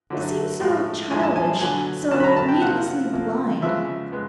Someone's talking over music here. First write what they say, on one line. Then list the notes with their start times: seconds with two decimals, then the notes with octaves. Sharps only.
It seems so childish, so needlessly blind.'
0.10 D3 F#3 A3
0.61 A2 F3 G#3
1.11 A2 F3 G#3 G#5
1.23 A5
1.36 G#5
1.61 D3 F#3 B3 G#5
2.11 D3 F#3 B3 A5
2.20 B5
2.24 A#5
2.37 A5
2.48 G5
2.61 C3 F3 A#3 F#5
3.12 C3 F3 A#3
3.62 C#3 F3 G#3 B3 E5
4.12 G#3 B3